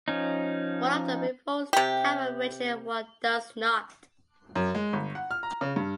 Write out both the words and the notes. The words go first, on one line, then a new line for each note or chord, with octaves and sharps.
One of them involves time-averaging, and one does not.
F3 C#4 D#4
C3 G4
F#2
G#3
G1
F#5
F6
A#5
C#3
G2